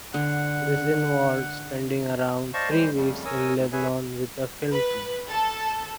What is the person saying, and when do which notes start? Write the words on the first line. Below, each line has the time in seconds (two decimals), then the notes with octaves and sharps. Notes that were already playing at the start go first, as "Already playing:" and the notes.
This involved spending around three weeks in Lebanon with a film crew.
0.14 D3 F#5
2.54 C5 D5 D#5 F5 A5 C#6
2.70 E3 G3 G#3 C5
2.95 F2 C#3 G3 A3
3.25 A#4 C#5 G#5 D#6 E6
3.57 D2 G#2 C3
3.73 G#4 B4 C#5 E5 G#5
4.71 B4
5.30 A4